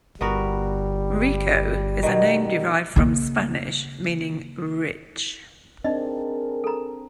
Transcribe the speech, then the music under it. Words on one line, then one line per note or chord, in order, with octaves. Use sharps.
Rico is a name derived from Spanish meaning "rich".
G1 G3 B3 F#4 A#4
B2 D#3
C#3 A#3
C4 D4 D#4 G#4 A#4 D#5
A4 A#5